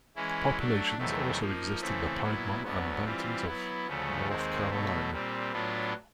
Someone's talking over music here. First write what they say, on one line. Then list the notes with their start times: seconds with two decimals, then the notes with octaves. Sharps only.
Populations also exist in the Piedmont and mountains of North Carolina.
0.16 E3 G#3 C#4 E4
0.57 F#3 A3 D4
0.98 E2 C3 D#3 F#3 A3
1.39 F3 A#3 D#4
1.81 C#3 E3 A3 C4
2.22 A#2 F#3 B3 E4
2.64 D2 D3 F#3 B3
3.05 E3 G3 C4 F4
3.46 F#3 B3 E4
3.86 D2 C#3 F3 A3 C#4
4.28 D#2 D#3 G#3 C4
4.70 B2 F#3 A3
5.10 A#2 G3 C4
5.52 A2 F#3 B3 D4 F4